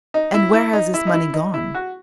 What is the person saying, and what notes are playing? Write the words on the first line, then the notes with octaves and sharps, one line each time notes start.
"And where has this money gone?"
D#4
E4
E4
D#4
E4
D#4
E4
D#4
E4
F#4